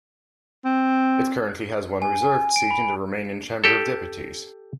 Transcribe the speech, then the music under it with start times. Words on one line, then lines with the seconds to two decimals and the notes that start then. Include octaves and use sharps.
It currently has one reserved seat in the Romanian Chamber of Deputies.
0.65 C4
2.02 G#5
2.22 G#5
2.56 D7
2.71 B5
3.64 G4 A4